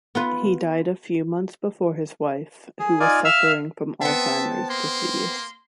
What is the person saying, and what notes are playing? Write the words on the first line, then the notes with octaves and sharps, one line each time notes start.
He died a few months before his wife, who was suffering from Alzheimer's disease.
B3 F4 B4
G#4
D#4 F4 D5 G#5
E5 F5 E6 F6
B3 C4 E5 A5
A#3 C6